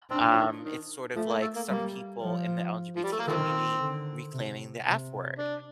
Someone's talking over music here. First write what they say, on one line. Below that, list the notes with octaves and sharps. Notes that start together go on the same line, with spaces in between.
Um, it's sort of, like, some people in the LGBT community reclaiming the F word,
C4 D4
F3
D#3
D#3
F3 A3
A#3
A3
A#3
G3 A#3
F3
F3
G3
A3
A#3
D#3 F3 A3 C4
D3
C3
C3
D4